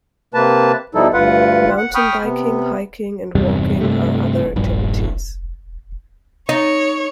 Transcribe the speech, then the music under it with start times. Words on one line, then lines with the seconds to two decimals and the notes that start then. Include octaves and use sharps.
Mountain biking, hiking, and walking are other activities.
0.34 C3 A#3 B4 A5
0.95 B2 F3 G3 D#4 E4 A4
1.13 D2 G2 F4 B4 F#5
1.77 F#5
1.95 G5 B5 C#6 D#6 F6
2.24 C3 B3
3.35 E2 G2 C3 G3
3.81 G2 C3 A3
4.56 A#1 G2
6.49 D#4 C#5